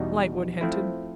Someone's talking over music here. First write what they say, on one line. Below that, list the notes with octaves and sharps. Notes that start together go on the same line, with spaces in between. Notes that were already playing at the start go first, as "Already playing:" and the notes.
Lightwood hinted.
Already playing: E2 B2 G3 B3 D#4
F3 A3 C4 E4